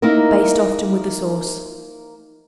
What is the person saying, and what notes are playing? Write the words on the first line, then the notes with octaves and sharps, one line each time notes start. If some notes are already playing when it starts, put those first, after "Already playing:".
Baste often with the sauce.
A#3 D#4 E4 A#4